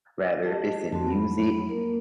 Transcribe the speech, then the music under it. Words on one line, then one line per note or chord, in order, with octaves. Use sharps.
Rather if it's in music
G4 D#5 A5
F2 C4 F#4 A5
F#3 B5
A#3 A#4